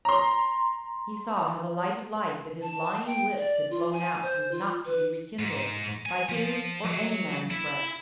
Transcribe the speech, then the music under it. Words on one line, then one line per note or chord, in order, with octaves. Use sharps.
He saw how the light of life that his lying lips had blown out was not to be rekindled by his or any man's breath.
A#5 C6
A5
G5
D5
F4
G#5
C5
F4
B4
G#2
G#5
F3
F#3
E4